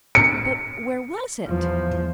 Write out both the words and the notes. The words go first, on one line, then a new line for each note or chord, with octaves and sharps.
But where was it?
C#7
E2 F3